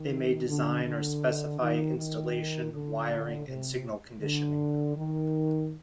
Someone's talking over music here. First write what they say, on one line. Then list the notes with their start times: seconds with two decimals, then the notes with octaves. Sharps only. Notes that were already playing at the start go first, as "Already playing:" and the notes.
They may design or specify installation, wiring and signal conditioning.
Already playing: D#3
0.48 D3
0.85 D3
1.59 D#3
1.97 D#3
2.72 D3
3.46 C3
4.21 D3
4.96 D#3